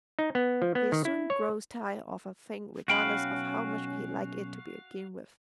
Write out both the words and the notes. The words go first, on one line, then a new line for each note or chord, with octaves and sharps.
He soon grows tired of a thing regardless of how much he liked it to begin with.
D#4
B3
F3
B3
D#3
E4
C#5
B1 C#4 F#4 F5 G5 B5